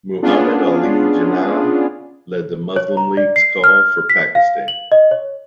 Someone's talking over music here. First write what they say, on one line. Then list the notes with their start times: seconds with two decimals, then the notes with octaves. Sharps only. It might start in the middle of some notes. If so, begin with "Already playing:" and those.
Muhammad Ali Jinnah led the Muslim League's call for Pakistan.
0.22 B3 C#4 D4 F4 G#4
2.76 C#5
2.97 A#5
3.17 D5
3.36 C7
3.64 F6
4.10 B6
4.35 F5
4.68 F#7
4.92 D#5
5.11 C#5